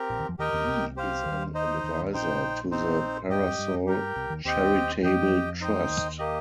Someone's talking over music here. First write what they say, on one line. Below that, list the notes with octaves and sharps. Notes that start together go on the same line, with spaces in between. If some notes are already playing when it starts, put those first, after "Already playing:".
He is an advisor to the Parasol Charitable Trust.
Already playing: C4 G4 A#4
A#1 A#2
D#2 D#3
F2 F3
D#2 D#3 G4 A#4 D#5 G5
D#2 D#3
C2 C3
G4 C5 F5
D#2 D#3
D#4 C5 D#5
D#2 D#3
G2
A#1 A#2 D#4 C5 G5
C4 D#4 C5
G2 G4 D#5 G5
F2
G2
G2
F2
G2 G4 A#4 G5
C2 C3
D#2 D#3
D#2 D#3 C4 G4 D#5 G5
F2 F3 G4 D#5 G5
D#4 C5 D#5 G5
D#2 D#3
A#3 G4 D#5